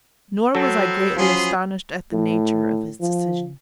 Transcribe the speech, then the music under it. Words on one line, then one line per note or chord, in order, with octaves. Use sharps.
Nor was I greatly astonished at the nature of his decision.
F#3 B3 C4 A4
F3 F#3 B3 C#4 G#4 C6
A2
F3